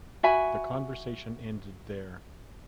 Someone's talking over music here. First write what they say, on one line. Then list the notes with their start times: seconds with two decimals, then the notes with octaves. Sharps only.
The conversation ended there.
0.23 F#4 E5 G#5 B5